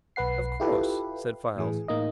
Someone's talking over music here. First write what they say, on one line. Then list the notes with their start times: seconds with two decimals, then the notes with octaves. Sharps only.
"Of course," said Files.
0.16 B1 B4 F#5 C7
0.60 E4 F4 G4 A4 B4
1.56 A2 E3 G#4
1.88 A2 A#3 D#4 D#5